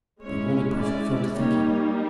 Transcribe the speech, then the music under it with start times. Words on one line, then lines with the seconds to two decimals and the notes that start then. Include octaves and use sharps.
The holy prophet fell to thinking.
0.22 G#3 C#4 E4 C#5
0.79 D5
1.35 G3 A#3 D#4 C#5